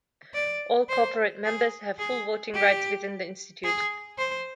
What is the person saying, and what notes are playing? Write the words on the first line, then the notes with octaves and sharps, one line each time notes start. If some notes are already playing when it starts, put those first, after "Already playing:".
All corporate members have full voting rights within the Institute.
D5
C5
G#4
G#4
G4
G#4
C5